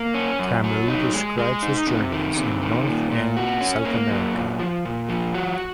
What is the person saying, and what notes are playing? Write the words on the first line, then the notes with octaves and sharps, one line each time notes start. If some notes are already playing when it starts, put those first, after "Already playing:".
Camus describes his journeys in North and South America.
Already playing: A#3
C#4
F#2
F#3
D#4
G#3
G#3
D#4
C3
D#3
C3
D#3
A#2
A#2
F#4
C#4
A#3
F#3
A#2
F3
A#2
F3
F#4